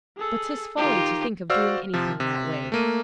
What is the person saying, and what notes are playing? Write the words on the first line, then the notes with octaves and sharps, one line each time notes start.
But 'tis folly to think of doing anything that way.
G#4 A4
D#3 D#4 F4 G4
F#4 C5 D5 F5 E6 F6
C3 F3
C3
A3 A#3 D#7